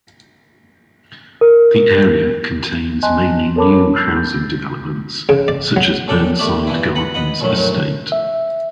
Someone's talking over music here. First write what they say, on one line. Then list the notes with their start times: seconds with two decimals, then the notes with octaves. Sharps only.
The area contains mainly new housing developments such as Burnside Gardens Estate.
1.41 A#4
3.03 D#5 G#5 A5 C6 F#6
3.56 A4 A#4 C#5 A5 B5 D6
3.96 E6 A6 C7
4.16 G6
5.29 C#3
5.48 D5
5.76 F#3
6.08 F#2 A4 D5 G5
6.39 D#3 A3 G4 D5
6.67 G2 E3 B3 E4
6.95 B4 F#5
7.14 B4 D#5 F#5
7.41 A#1 F#2 A2 D#3 F#3
8.12 E5